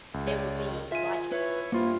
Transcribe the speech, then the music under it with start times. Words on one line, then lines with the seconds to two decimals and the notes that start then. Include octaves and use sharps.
there would be, like,
0.14 C#2
0.28 A2 G4 C#5 D5
0.56 D#3
0.92 G#2 D#3 F4 E5 G#5 D#7
1.32 E4 B4 C#5
1.72 G2 C3 A#3 E4 F4